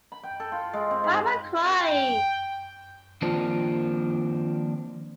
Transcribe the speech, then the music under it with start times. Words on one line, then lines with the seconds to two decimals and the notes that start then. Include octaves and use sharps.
Why am I crying?
0.12 B5
0.23 G5
0.40 A4
0.52 F4
0.73 G#3
0.91 C4
1.04 G#2
1.79 G5
3.22 D#3 F3 A#3 C4 D4 F4